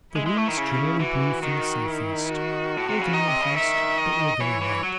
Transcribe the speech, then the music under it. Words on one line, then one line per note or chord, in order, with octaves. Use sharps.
The winds generally blew from the southeast, or the northeast, but were very light.
G#3 E4
G#3
A3
D#3
C#3
E3 F#4
D#3
E4
F#4
A2
C3
C#3
D#3 D#5
C3
C#3
D#3 E5
D#5
E3 C#5
E3
F#3